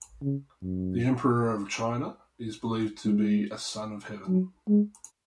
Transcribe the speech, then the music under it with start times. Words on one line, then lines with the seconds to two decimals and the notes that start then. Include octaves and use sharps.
The emperor of China is believed to be a Son of Heaven.
0.22 C#3
0.62 F#2
3.05 G#3
4.28 F#3
4.68 G#3